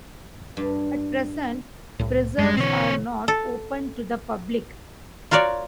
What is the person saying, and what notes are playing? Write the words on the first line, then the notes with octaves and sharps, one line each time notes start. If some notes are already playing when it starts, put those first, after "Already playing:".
At present, preserves are not open to the public.
G2
C2 A2
F#2 G3 G#3
B2 D3 E3 C4 C#5
A4
F4 F#4 A#4 C#5 D5